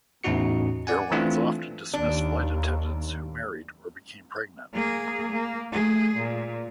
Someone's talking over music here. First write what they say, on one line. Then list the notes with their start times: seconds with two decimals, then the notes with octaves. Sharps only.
Airlines often dismissed flight attendants who married or became pregnant.
0.24 E2 A2 C#4 D#4 F#4 C#7
0.87 D5 F#5 G#5
1.11 E3 A3 C4 D4 F4
1.94 D#2 D4
4.73 A#3 G#4
5.32 A#3
5.72 A3 G#4
6.16 A#2